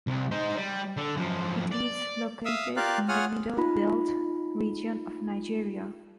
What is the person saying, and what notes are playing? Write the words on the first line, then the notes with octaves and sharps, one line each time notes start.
It is located in the Middle Belt region of Nigeria.
C2
D#4 C5
G3
D3
F#2 F3
D5
E5 F5 D#6 E6
F4 G4 A#4 D5 F5 F#6
F4 G#4 C#5 F#5 D#6 F6
D#4 F4 B5